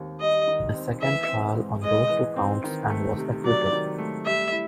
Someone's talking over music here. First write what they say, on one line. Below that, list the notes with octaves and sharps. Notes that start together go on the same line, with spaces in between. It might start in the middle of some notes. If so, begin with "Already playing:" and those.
In a second trial on those two counts and was acquitted.
Already playing: D#2 D#3 C4
G3 D#5
D#3
C4
E3 E5
C4
G#2
G#3 D#5
E3
C4
D#3
A3
C3
F#3 D5
D#3
A3
G3 E5
E4